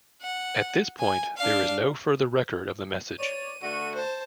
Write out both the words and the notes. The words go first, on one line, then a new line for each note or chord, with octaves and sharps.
At this point there is no further record of the message.
F#5
G#5
D4 F5
C#5 D5 D#7
D3 A3 F#4 D#7
C5 A5